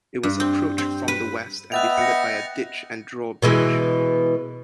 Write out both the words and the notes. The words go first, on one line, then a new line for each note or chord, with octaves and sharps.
It was approached from the west and defended by a ditch and drawbridge.
G2
C4
C4
B4
B3 D#5 E5 G5 F#6 A6 F7
A#6 C#7
B2 E3 G#3